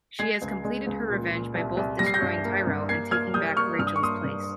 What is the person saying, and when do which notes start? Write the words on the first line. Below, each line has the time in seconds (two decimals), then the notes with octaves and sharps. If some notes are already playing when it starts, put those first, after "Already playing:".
She has completed her revenge by both destroying Tyrell, and taking back Rachael's place.
0.19 G#3 G#6 C7
0.42 C#2
0.65 G#3
0.87 C#2
1.10 A#2
1.32 A#2
1.55 C2
1.77 C2
1.99 G3 A#6
2.06 C7
2.14 G6 A#6
2.22 G2
2.45 A#3
2.67 G2
2.89 A#3 G#6 C7
3.11 A#3 F6 G#6
3.34 G3 D#6 G6
3.57 A#3 C#6 F6
3.79 G2 F6
3.87 D#6
3.96 C#6
4.02 A#3 C6 D#6
4.24 G2